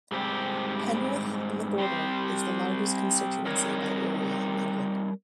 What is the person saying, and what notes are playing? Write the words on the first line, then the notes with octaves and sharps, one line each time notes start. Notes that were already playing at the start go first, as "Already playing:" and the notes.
Penrith and The Border is the largest constituency by area in England.
G#2 G3 C4 G4
G3 C4 G4 C5
G3 C4 D#4 A#4 C#5